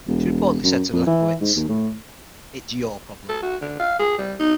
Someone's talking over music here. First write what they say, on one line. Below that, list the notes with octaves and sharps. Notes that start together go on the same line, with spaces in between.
She reportedly said to Lefkowitz: It's your problem.
E1
F#2
F2
E3
G#2
D#2
A2
A4
F#4
D3
F5
G#4
G3
D#4